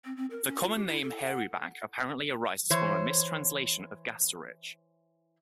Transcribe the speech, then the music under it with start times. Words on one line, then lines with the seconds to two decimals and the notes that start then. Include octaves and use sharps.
The common name "hairyback" apparently arises from a mistranslation of "gastrotrich".
0.05 C4
0.17 C4
0.31 A#4
0.45 C#4
0.60 F4
0.75 G4
0.88 E4
1.02 A4
1.24 F#5
2.70 E3 C5 C#5